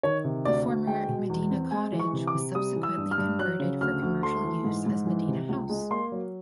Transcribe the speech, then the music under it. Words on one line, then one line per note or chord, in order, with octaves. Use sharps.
The former "Medina Cottage" was subsequently converted for commercial use as "Medina House".
D#3 C#5
C3
D2 D5
D2
G#3 G5
B2
E2
C4
G#3 G#5
E3
C#6
C3
D6
C3
G3 D#6
E3
E6
G2
F6
G2
F#3 F#6
C#3
D2 F6
D2
A3 C6
E3
G#2
G#2
E3
C3
C#2
G#3
A#3 C6
F#3